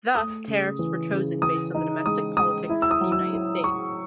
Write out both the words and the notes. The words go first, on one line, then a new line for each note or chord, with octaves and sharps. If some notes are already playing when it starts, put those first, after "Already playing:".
Thus, tariffs were chosen based on the domestic politics of the United States.
A3 D#6
C#3
E3
C#3
E3 D#6
D#4
G#3 D#6
G#3 D#6
E4
E6
D#6
F#3
E6
E4
E4 C#6